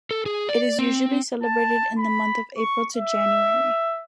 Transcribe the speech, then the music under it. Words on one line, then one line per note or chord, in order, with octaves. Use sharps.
It is usually celebrated in the month of April to January.
A4
G#4
D5
C4
A5
B5
C#6
E5